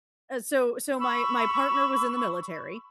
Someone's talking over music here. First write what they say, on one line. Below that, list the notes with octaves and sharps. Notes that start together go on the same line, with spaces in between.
uh, so so my my partner was in the military
B5 C#6 E6